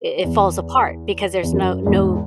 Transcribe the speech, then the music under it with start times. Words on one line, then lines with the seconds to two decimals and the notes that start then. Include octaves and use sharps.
i it falls apart because there's no no
0.24 E2
1.43 E2
1.53 F#2
1.86 E2 G#2